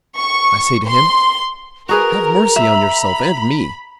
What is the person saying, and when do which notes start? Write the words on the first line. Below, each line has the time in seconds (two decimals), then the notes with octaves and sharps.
I say to him, "Have mercy on yourself and me."
0.17 C#6
0.86 C6
1.89 F#4 G#4 A#4 B4 A#5
2.56 E5 B5